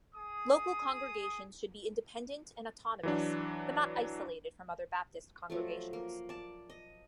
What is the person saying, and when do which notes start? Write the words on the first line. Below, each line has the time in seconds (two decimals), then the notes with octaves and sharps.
Local congregations should be independent and autonomous, but not isolated from other Baptist congregations.
0.15 G#4 D#6
3.03 E3 F#3 D4
5.50 F3 F#3 A3
5.93 A#3
6.29 D5 A5
6.70 D#5